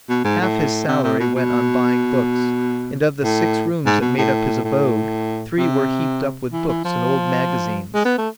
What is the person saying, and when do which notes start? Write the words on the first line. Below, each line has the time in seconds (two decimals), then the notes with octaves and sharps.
Half his salary went on buying books, and of the six rooms that made up his abode three were heaped up with books and old magazines.
0.09 B2
0.24 G#2
0.41 A2
0.88 C3
1.03 C3
1.19 B2
1.35 B2
3.23 A2
3.86 G#2
4.01 B2
4.17 A2
4.64 A2
5.58 C3
6.52 E3
6.68 E3
6.85 F3
7.94 G#3
8.05 B3
8.18 A3